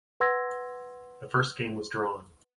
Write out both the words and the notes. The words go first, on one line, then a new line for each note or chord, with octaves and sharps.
The first game was drawn.
B4 F#5 C6 E6 G#6 A#6